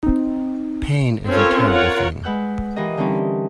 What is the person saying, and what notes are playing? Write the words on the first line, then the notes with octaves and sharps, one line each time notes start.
Pain is a terrible thing.
C4 D#4
C4 C#4 F4 A4 A#4 C#5
F4 A#4 C#5 F#5
G#3 B4 F#5 E6 F#6 G6
E3 F4 G4 A#4 D#5
D3 E3 G3 C4 C#4 D#4